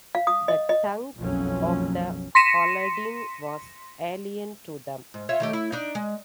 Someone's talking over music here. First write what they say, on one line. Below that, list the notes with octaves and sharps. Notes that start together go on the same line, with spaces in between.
The tongue of the Haladin was alien to them.
F5
D#6
D#5
D#5
F#1 B1 F2 F#3 C#4
C6 A#6 B6 C#7 D#7 E7
G#2
F4 C#5 E5
D#3 A3 G4
E4
D4 D#4
G#3